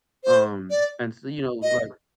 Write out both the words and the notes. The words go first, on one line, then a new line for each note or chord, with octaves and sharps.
um, and so, you know, like
C5
D5
D#5